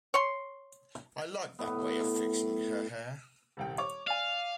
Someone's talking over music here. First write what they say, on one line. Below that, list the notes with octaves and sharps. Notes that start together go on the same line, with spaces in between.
I like that way of fixing her hair.
C#5 C6
A2 B3
D#1 C2 G5
C#5 D6
D5 F5 G#5